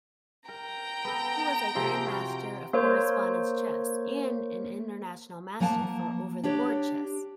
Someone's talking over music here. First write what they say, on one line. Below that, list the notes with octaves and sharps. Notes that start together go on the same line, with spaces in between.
He was a Grandmaster of Correspondence Chess and an International Master for over-the-board chess.
A#4 G5 A#5
B3 A4
C3 F3 G#4
F4 F#4 F5
A#3 A#4 C5 C#5
F3 A#3 F#5 G#5 A5
D4 G4 C#5